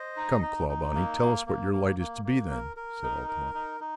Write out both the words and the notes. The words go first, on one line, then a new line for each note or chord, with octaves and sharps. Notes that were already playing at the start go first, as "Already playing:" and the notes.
"Come, Clawbonny, tell us what your light is to be, then," said Altamont.
Already playing: C5 D#5
D#4
D#4
D#4
A#3
A#3
A#3
A#3
A#3
A#3
A#4
A#4
D#4
A#4
D#4
D#4